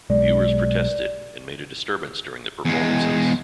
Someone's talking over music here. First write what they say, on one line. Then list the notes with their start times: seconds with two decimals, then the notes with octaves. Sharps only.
Viewers protested and made a disturbance during the performances.
0.10 B1 G#3 D5
2.65 E2 G#3